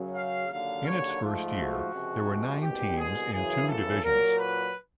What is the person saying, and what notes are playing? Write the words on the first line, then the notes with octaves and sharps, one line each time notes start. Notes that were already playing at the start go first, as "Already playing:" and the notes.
In its first year, there were nine teams in two divisions.
Already playing: F#2 C#3 F#3
F5
D#2 D3 F#3 A#3 F5
C#5
G#2 F3 A3
F#4
C#2 C3 F3 G#3
C2 B2 G#3 G4
G#4
F#2 C#3 E3 G#4
A4
A#2 F#3 A#3 A#4
B4